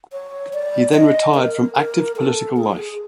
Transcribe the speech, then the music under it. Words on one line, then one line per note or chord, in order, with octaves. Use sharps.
He then retired from active political life.
C#5
D5
D#5
A#4
A#4
A4
G#4